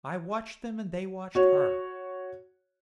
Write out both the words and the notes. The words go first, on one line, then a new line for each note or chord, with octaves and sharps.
I watched them and they watched her.
F#4 C#5